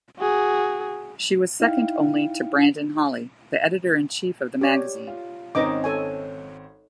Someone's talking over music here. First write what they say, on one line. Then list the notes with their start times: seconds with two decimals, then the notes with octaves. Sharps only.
She was second only to Brandon Holley, the editor-in-chief of the magazine.
0.19 F#4 G#4
1.60 D#4 E4 F5 G5
4.61 G4 C#5 D5
5.07 F4
5.55 G#1 C4 C#4 D#4 D#5 D6
5.84 A4 C#5 G#5